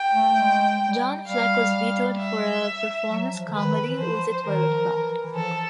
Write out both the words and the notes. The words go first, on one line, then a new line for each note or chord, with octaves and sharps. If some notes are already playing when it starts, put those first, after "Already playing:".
John Fleck was vetoed for a performance comedy with a toilet prop.
Already playing: G5
A3
G#3
G3
G3 F5
E5
F#3
F3
D3
D#3 B4
E3
E3
F3 C5
D#3 A#4
F3
E3
E3
F3 A4